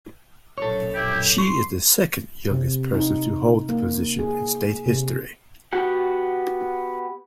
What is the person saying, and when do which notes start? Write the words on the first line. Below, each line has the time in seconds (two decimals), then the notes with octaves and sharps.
She is the second youngest person to hold the position in state history.
0.58 A#1 F#2 B2 A4 C#5
0.94 E4 G4
1.38 C6 C#6
2.51 C3
2.94 D#4
3.69 A#3
4.19 G#4
4.86 C3
5.73 B3 F#4 G4 F#5